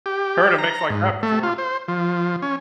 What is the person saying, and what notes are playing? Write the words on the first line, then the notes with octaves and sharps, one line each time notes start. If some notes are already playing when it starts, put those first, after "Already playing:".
heard a mix like that before.
G4
A#5
G#2
A3
F4
C5
F3
C#4